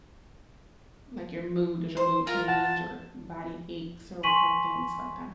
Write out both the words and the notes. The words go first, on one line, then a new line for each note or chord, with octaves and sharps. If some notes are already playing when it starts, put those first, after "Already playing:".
Like your mood, does your mood change or body aches or or things like that?
C5
F4 A#4
F#5 A5
G#5 C6 C#6 B6 D#7 F#7